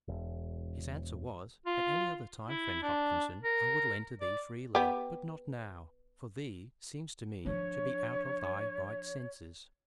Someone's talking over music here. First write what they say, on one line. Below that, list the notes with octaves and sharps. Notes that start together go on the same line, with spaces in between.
His answer was, 'At any other time, friend Hopkinson, I would lend to thee freely; but not now, for thee seems to me to be out of thy right senses.'
E1
F4
E4
D4
A#4
D5
B3 G4
F3 D4 C#5